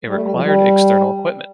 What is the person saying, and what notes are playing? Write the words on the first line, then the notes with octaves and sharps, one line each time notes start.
It required external equipment.
G3
A3
G3
F3
G3